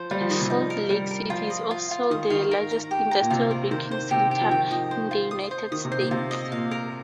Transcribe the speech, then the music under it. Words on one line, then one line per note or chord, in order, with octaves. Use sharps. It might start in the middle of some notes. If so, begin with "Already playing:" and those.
Salt Lake City is also the largest industrial banking center in the United States.
Already playing: F3 C5
G3 F4
F3
D#3 D#5
C3
F3 D#4
A#4
G3 A#4
A#4
F3 F4
D#5
F4
F4
D#3 D#6
D#3 F5
A#4
A#5
G4
A#5
A#2
C3 F4
A#4
D#3 C5
C5
C3 G4
G4
F3
D#3 G5
F3 D#5
C5
F4
D#6
C5
D#3 D#6
C3
C5
A#2
C3 F4
D#5
A#2 F5
A#4